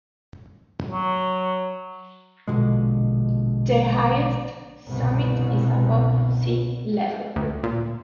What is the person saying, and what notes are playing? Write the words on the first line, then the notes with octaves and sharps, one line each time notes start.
The highest summit is above sea-level.
F#3
A#1 B2 D3 G#3
G1 C2 B2
D2
A#2